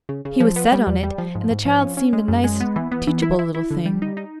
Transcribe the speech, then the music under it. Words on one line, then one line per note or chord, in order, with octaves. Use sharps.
He was set on it; and the child seemed a nice, teachable little thing.
C#3
C#3
F3
B3
G3
E2
G3
F3
G#2
G#2
F3
C#4
C#4
G#3
F#2
G#3
B3
E3
B3
E3
E4
E4
E4
D3
G3
D#4
D#4